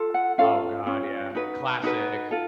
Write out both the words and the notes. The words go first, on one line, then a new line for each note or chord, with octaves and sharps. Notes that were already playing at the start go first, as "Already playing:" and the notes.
Oh God, yeah, classic.
Already playing: F4 A4
F#5
C#4 F4 A4 F5
C#4 F4
D#4 F#4 B4
D#4 F#4 B4
F4 A4